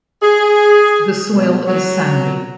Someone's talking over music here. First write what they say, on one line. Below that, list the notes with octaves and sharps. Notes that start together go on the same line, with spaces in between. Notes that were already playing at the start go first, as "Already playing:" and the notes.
The soil is sandy.
G#4
B2
F#3